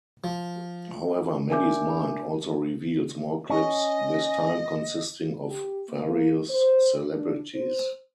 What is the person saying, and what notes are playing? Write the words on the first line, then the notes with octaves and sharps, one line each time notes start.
However, Maggie's mind also reveals more clips, this time consisting of various celebrities.
F3
D4 A#4 E5 G#5 D6 G6
C#4 D#5
G4
A#3
C5
D4
C5